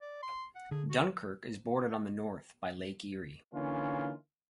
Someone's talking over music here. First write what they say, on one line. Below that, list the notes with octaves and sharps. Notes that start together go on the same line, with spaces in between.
Dunkirk is bordered on the north by Lake Erie.
D5
C6
F#5
D3 G#4
F#4
D3 E3 A#3 C#4 D#4 F4